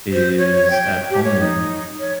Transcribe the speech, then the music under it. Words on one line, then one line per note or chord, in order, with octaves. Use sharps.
is at home,
C5
C#5
G5
G4
C#5
D#4
C#5